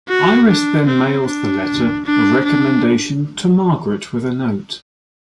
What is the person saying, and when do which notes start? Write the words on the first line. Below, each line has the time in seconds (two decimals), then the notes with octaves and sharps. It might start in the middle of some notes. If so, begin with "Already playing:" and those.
Iris then mails the letter of recommendation to Margaret with a note.
0.08 F#4
0.48 D4
0.87 C4
1.26 D4
2.05 D4
2.44 D4